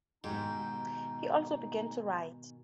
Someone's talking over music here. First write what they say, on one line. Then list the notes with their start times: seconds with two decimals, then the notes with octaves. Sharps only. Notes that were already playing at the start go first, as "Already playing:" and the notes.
He also began to write.
0.24 G#2 B2 D#3 G#3 D#4 G4 G5